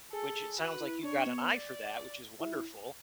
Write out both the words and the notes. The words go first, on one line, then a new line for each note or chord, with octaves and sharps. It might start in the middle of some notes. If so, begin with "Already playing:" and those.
which it sounds like you've got an eye for that, which is wonderful.
G#4 A4
G#4
F#4 B4
E4
D4 C#5
B3
D5
E4